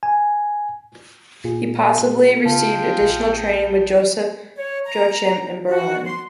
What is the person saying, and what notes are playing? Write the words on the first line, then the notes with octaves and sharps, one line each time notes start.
He possibly received additional training with Joseph Joachim in Berlin.
G#5
A#2 F4 G#4
C#3 F4 G#4 G5 A5
A#1 C#7
C#5
A#5
F#4
C6